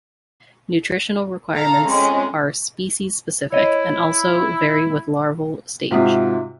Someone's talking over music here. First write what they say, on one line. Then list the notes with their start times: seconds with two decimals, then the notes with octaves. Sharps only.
Nutritional requirements are species specific and also vary with larval stage.
1.55 A4 F5 A#5
1.86 F2 G#3 C#4
3.52 E4 C#5 D#5
5.91 G#2 C3 F4 F#4 E5 D#6